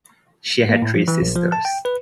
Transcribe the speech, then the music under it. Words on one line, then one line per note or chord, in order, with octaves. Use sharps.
She had three sisters.
A#3
A2
F3
E3
A#1
F3
A5
G5
B4